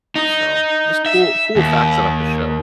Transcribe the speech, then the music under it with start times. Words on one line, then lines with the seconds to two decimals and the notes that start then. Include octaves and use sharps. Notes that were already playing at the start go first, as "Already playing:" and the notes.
So, just cool cool facts about the show.
0.16 D#4
1.06 E5
1.56 D#2